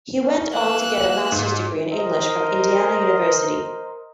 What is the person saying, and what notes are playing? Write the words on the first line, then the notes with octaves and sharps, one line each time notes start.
He went on to get a master's degree in English from Indiana University.
C#4
E3 A#3 E6 F#6
G#2
A#4 C5 D#5